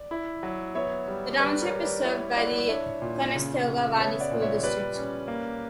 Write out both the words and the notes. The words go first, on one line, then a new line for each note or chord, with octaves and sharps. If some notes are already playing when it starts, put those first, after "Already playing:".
The township is served by the Conestoga Valley School District.
Already playing: D5
E4
F#3
B3 C#5 E5
G3
G3 B4 D5
A#4 C#5
G3
B4 D5
E4 C#5 E5
E4 D5 F#5
D4 C#5 E5
A#2
C#3
C#3
B3 C#5 E5
D5 F#5
A#2
C#5 E5
G3 B4 D5
C#4
A#3